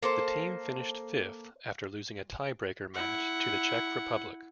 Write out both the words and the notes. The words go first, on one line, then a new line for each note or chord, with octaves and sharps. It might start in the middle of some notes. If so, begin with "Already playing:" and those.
The team finished fifth after losing a tie-breaker match to the Czech Republic.
A#3 A4 C5
E4 F#5